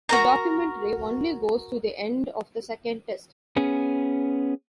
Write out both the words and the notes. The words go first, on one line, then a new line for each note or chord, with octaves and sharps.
The documentary only goes to the end of the second test.
F#4 A#4 A#5
B3 C#4 G#4